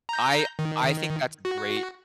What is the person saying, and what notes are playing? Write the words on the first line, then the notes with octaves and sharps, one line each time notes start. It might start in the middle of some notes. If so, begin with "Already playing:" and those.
I I think that's great.
A#5 G6
D#3
F#4